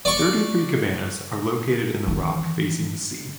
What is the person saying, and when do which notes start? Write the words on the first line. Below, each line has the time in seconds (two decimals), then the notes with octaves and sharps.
Thirty-three cabanas are located in the rock facing the sea.
0.05 D5 C#6
2.08 D#3 E3